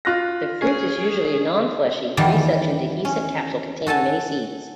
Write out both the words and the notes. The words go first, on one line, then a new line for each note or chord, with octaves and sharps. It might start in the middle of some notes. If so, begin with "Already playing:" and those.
The fruit is usually a nonfleshy, three-sectioned dehiscent capsule containing many seeds.
F4 F#6 A#6
C#4 G#4
E2 D#3 E3 G3 G4 A5
C#4
F#4 A4 G#5 A5